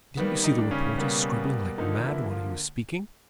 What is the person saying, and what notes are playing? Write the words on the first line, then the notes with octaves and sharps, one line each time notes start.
"Didn't you see the reporters scribbling like mad while he was speaking?"
D#3 G3 A#3 B3
D#4
D4
C#3 C#4
B2 G3 A#3
D3 D#3 F3 A#3 D#4
E3 E4
F3 F4